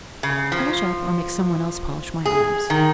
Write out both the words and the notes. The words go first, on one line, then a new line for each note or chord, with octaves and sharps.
Polish up or make some one else polish my arms.
C#3
F3
G#4
D#3